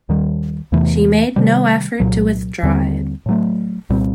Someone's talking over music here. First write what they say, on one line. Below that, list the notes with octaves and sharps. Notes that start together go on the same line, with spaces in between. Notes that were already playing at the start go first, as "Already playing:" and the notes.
She made no effort to withdraw it.
D#2 D#3 G3
E2 C3 E3 A3
C3 D#3 G3
C2 A#2 F#3
D#2 D3 G3 C4
A2 F#3 A3
C2 A#2 G3 C4